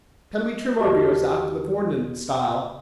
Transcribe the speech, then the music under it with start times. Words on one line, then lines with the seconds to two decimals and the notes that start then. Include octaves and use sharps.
Can we trim our beards after the foreign style?
0.79 E2 F#4 G4 D#5 A5